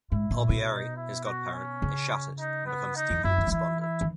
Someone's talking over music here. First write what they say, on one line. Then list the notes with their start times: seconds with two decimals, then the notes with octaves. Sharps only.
Albieri, his godparent, is shattered and becomes deeply despondent.
0.12 G#2 E4
0.31 A#2
0.49 B2
0.69 D#4
0.96 E4
1.25 F#4
1.54 C#4
1.82 C#3
2.39 D#4
2.66 B3
2.96 D#4
3.10 E2
3.24 F#2 E4
3.38 E3
3.47 F#3
3.52 E3 E4
3.81 E4
4.01 D#3